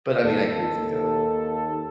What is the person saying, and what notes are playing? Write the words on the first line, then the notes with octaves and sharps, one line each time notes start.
But, I mean, I agree with you, though.
D#2 A4